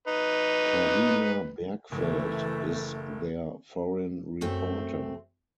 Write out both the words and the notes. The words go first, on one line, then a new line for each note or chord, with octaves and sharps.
Carina Bergfeldt is their foreign reporter.
D#4 B4
F#1 E3 A3
F#2 A3 C4